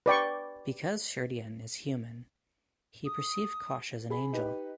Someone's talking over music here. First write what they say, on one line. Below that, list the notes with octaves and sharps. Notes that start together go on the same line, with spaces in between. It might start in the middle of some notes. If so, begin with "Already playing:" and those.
Because Sheridan is human, he perceived Kosh as an angel.
B4 D5 G5 C#6
D#6
G#4 B5
D#4 G4 B4